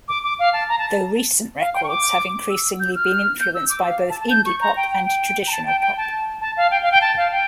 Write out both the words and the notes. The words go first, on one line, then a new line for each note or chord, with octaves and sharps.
Though recent records have increasingly been influenced by both indie pop and traditional pop.
D6
D6
F5
A5
A#5
A5
F5
G5
C#6
D6
E6
G6
F6
G6
E6
D6
F5
A5
A5
G6
C#6
A#5
G5
G5
G5
A#5
A5
G5
G5
A5
A5
F5
G5
F5
G5
A5
F5
G5